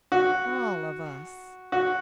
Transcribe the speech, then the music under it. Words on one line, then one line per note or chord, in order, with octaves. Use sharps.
"All of us."
F#4
F#4